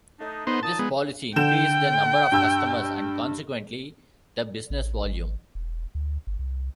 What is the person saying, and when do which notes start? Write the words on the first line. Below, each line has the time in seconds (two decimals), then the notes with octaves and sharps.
This policy increased the number of customers and consequently, the business volume.
0.20 A3 D4 D#4
0.47 D3 B3 D#4 B4 C5 C6
0.63 A#2 D#4 A5 D#6
0.79 G#3 B3
1.36 D3 G5 G6 E7
2.32 G2 E6 G6
4.70 A1
5.04 G#1
5.55 E1
5.95 D2
6.27 G1
6.39 C2